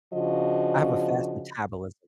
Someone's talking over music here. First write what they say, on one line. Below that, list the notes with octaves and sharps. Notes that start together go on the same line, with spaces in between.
I have a fast metabolism
C#3 F3 D4 F#4 D#5